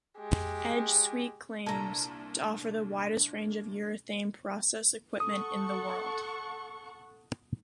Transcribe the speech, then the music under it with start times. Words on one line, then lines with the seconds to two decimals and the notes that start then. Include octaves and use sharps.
Edge-Sweets claims to offer the widest range of urethane process equipment in the world.
0.19 G#3 G4
1.66 C2 A#2 D4 A4 A#5 D#7
5.20 A4 F#5 C#6 D#6